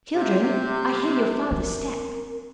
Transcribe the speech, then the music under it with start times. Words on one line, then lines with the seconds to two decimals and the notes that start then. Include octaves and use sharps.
'Children, I hear your father's step.
0.16 C3 G4
1.51 C4 A#4